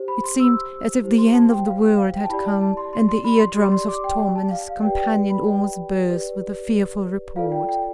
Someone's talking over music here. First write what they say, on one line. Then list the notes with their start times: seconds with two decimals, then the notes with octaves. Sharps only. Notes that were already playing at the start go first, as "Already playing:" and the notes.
It seemed as if the end of the world had come, and the ear drums of Tom and his companion almost burst with the fearful report.
Already playing: G4 C5
0.08 B5
0.24 C6
0.40 E6
1.03 E4 G4 C5
1.18 C6
1.34 A5
1.50 G5
1.66 F5
1.82 G5
1.97 F5
2.14 G5
2.24 A5
2.29 E4 G4 D5 B5
2.46 A5
2.61 A5
2.77 C6
2.93 C6
3.09 C6
3.24 B5
3.40 C6
3.56 G4 C6
3.61 D5
3.72 C6
3.88 D6
4.04 G5
4.20 G5
4.36 A5
4.51 F5
4.68 F5
4.82 G4 B4 D5 G5
4.99 G5
5.30 B5
5.46 G5
6.10 G4 B4 D5
7.36 F4 A4 D5 F5
7.52 G5
7.69 G5